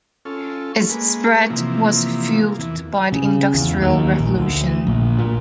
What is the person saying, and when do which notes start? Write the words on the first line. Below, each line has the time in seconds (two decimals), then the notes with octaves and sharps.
Its spread was fueled by the Industrial Revolution.
0.25 C#4 F4 A4
0.89 G#3 A#3 B4
1.50 C3 E3 F3 A#3
2.59 E2 E3
3.12 C#3
3.54 E2
3.82 D#2
4.19 A#1
4.34 D2
4.87 A#1
5.19 A#2